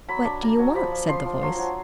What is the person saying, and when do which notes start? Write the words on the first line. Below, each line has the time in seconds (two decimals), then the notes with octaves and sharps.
"What do you want?" said the voice.
0.09 F#3 B5
0.25 D4
0.42 A#3 A#5
0.59 F#3
0.75 F3 B5
0.91 F3
1.09 F3 C6
1.25 F3
1.43 F#3 C6
1.59 F#3